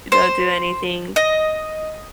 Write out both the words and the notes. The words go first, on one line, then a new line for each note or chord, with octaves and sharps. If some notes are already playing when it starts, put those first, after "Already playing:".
don't do anything."
C5
D#5